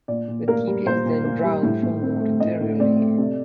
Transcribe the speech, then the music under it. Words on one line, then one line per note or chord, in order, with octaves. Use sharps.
The tibia is then drawn forward anteriorly.
A#2 D5
A#2
A#3 A#4
G3
A#2 C5
A#2
A#3
G3
A2
A2
C4
A3
A2 D#5
A2
C4 D5
A3
C3